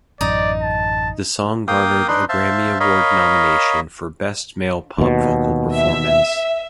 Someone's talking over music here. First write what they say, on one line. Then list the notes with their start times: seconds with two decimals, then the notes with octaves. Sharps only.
The song garnered a Grammy Award nomination for Best Male Pop Vocal Performance.
0.21 A1 F#2 D#4 D5
0.62 A5
1.68 A#3 F5 G5 D#6
2.08 D4 D#4 B4 C6
2.29 C5 E5 F5 A5
2.80 A#4 C#5 D#5 F5 B5
4.98 D#2 B2
5.75 E5